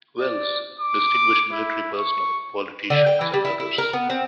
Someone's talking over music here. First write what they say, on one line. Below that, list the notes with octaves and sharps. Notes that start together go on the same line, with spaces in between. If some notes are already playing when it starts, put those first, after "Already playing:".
Wells, distinguished military personnel, politicians, and others.
D5
D6
E4
C#6
D3
G5
E3
G3
E4
E4
A#4
B3
C4